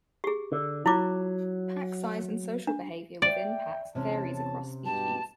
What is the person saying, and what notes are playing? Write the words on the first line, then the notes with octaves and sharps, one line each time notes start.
Pack size and social behaviour within packs varies across species.
G4 G#4
D3
F#3 E4 F4 D6
D4
D5 E5 G5
E2 C3 C#4 C#5 A5
G2 B2 G4 A5